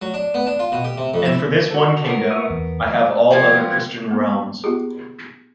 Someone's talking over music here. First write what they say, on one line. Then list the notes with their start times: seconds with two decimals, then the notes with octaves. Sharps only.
And for this one kingdom, I have all other Christian realms.
0.02 F#3
0.14 D4
0.34 B3
0.47 D4
0.59 F4
0.72 B2
0.84 G4
0.98 C3
1.14 F2
1.25 E4
1.70 F#4 A4
2.06 B3 A#4
2.30 E5 C#6 D#6
2.50 E2
3.31 F3 B3 C4 G#6
4.11 A#3 B3
4.64 B3 F4 G4 G#4